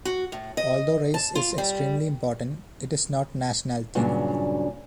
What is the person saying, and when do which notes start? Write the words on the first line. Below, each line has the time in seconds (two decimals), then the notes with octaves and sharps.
Although race is extremely important, it is not nationality.
0.05 F#4
0.32 A2
0.57 D#5
1.14 A5
1.35 F4
1.58 G3
3.95 G2 A#2 C#3 F#3 D4